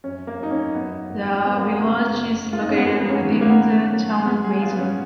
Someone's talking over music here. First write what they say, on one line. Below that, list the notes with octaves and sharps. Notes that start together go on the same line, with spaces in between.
The village is located within the Town of Mason.
F#2 C#4
A#3
F#3 D#4
C#4
F#2 B3
G#1
F2 B3
A#3
C#3 A#3
F#1
G#3 F4
D#4
C#4
B3
F2 A#3
B3
C#4
D#3
B3
A#3
B3
C#3
F#3
G#3 B3
G#4
G#3 F4
B3
C#4